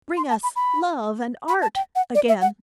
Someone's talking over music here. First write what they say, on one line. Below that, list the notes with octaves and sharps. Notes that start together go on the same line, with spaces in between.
Bring us love and art again!
C6
A5
B5
B5
B5
A5
G5
F#5
D5
E5
F#5